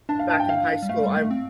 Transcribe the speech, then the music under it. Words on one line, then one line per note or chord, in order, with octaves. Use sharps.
back in high school, I
D4 A5
F5
A5
G5
F5
G3
A3 F5
G3
A3
C4